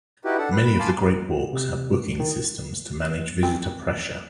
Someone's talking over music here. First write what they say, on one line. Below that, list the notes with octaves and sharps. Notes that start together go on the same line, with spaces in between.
Many of the Great Walks have booking systems to manage visitor pressure.
D#4 E4 F#4 G4 B4
D4 A4 F#5
B4
B5
F5 G#5 A5 B5 C6 D6
C3
D#3
C4 G5